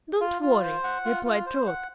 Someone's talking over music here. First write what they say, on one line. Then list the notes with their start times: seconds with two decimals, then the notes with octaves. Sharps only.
"Don't worry," replied Trot.
0.21 F4
0.42 F4
0.63 C5
0.84 F#5
1.05 F4
1.25 F4
1.46 C5
1.67 F#5